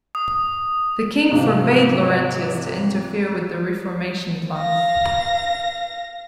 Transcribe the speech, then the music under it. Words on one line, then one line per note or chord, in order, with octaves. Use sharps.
The king forbade Laurentius to interfere with the reformation plans.
D#6
G#2 C3 F3 G#3
F5 A#6